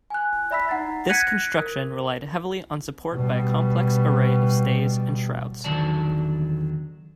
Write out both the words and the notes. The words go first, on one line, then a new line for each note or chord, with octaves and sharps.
This construction relied heavily on support by a complex array of stays and shrouds.
G#5 F#6
D5 E5 B5 E6 B6
D#4 F#5 A#5 A6 B6
F#6 G#6 A#6 B6 C#7 D#7
A#4
B2 G3
E2 D3 D#3 F#3 D5 A5